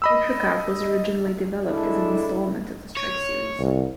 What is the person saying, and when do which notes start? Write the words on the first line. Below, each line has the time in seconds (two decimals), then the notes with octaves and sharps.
"Future Cop" was originally developed as an installment of the "Strike" series.
0.02 D#5 B5 E6
1.68 G#3 D4 E4 A4
2.97 C#5
3.60 C2